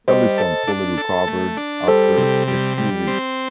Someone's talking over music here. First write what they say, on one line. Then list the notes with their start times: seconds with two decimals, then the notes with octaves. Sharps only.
Ellison fully recovered after a few weeks.
0.08 G3 C5 D#5
0.38 A4
0.67 D4
0.98 A4
1.27 A3
1.57 D4
1.88 G3 A4 C5
2.17 C3
2.48 G3
2.78 G3
3.07 C4